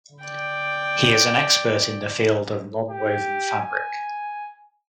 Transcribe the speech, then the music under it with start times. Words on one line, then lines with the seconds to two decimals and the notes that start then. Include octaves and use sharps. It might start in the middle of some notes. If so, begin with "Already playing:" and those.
He is an expert in the field of nonwoven fabric.
0.24 D5 G5
2.89 G4
3.59 G#5